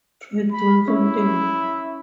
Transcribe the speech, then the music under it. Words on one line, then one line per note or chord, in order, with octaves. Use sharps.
Try doing something.
B5
C#4 E4